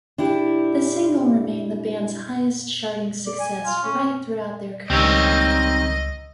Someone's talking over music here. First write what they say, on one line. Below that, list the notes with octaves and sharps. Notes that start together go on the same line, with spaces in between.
The single remained the band's highest charting success right throughout their career.
D4 E4 G4
D5
G#5
F4
C#4
C#2 D#3 G3 C4 C#5 D#5 E6